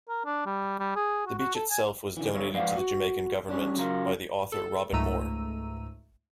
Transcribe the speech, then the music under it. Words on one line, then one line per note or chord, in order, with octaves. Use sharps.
The beach itself was donated to the Jamaican Government by the author Robin Moore.
A#4
D4
G3
G3
G#4
F#4
F#4
A4
G#5
D3 E3
G2 D3 C#5
F3 G#3 B4 D5 F5 F#5
F#4
G3 C#4 D4
C#3 F#3 F4 A#4
A4
C#2 G#2 A3 A#5 E6 D#7